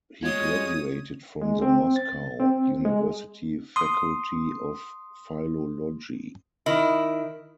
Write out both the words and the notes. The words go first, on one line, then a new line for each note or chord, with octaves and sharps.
He graduated from the Moscow University faculty of philology.
G#3 F4 F#4 C#5 D#6 G#6
G#3
C4
A6
C4
G#3
C6 D#6
D#3 E4